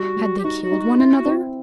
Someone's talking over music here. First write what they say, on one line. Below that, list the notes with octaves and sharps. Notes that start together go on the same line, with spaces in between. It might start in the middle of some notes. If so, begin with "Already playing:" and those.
Had they killed one another?
Already playing: G3 F#4
G3
G4
D#4 F#4
F#4
D#4
F#4
E4 F4
F#4
C4